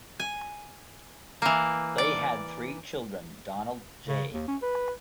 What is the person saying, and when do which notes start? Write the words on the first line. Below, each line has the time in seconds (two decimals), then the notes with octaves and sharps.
They had three children, Donald J.
0.20 G#5
1.42 E3 A#3
1.98 D5
4.07 C#3
4.33 D#2
4.48 C#4
4.62 B4